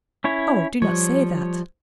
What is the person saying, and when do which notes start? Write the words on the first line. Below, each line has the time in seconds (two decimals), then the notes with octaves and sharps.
"Oh! do not say that."
0.24 C#4 E4 C#5
0.82 F3 G3 C#5